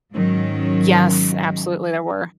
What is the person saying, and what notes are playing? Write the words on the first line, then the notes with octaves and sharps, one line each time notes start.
Yes, absolutely there were,
G#2 D#3 F#3 C#4